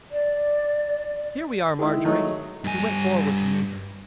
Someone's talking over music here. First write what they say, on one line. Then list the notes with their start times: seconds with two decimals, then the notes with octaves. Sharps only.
"Here we are, Marjorie." He went forward to meet her.
0.12 D5
1.79 D#3 G#3 E4
2.05 F#3 A3 D#4
2.64 G2 G#5